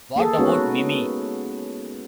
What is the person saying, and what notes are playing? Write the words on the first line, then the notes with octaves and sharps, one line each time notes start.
What About Mimi?
A#3 G#4 A4
G#3 B3 C#4 D#4 F#4